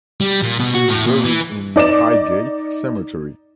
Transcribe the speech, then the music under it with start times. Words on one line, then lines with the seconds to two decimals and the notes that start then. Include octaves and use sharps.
He is buried in Highgate Cemetery.
0.21 G3
0.42 A#2
0.59 B2
0.75 F#4
0.89 A2
1.07 A#2
1.25 E3
1.76 D#4 D5 D6 E7